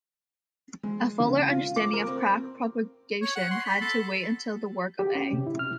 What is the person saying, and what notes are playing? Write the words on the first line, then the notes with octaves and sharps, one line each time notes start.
A fuller understanding of crack propagation had to wait until the work of A.
G#3
C#3
F4
D6
A#4
C4
C#5
F#5
C6
B5
A4
G4
C#4
C3
E4
F6